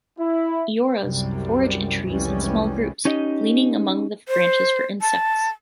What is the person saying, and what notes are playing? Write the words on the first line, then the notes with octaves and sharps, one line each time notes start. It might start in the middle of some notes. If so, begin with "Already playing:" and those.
Ioras forage in trees in small groups, gleaning among the branches for insects.
E4
C2 F#2 C3 G3
F1 C2 E3 G3 G#3 C#4
C#4 D#4 G4 D#5
C5
A5